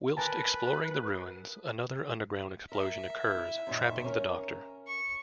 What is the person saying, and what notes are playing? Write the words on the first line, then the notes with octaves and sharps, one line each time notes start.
Whilst exploring the ruins, another underground explosion occurs, trapping the Doctor.
A#4 B4 G#5 A5
A#4 E5
E4
F#2 A#2 D#3
C#4 A#4
C#6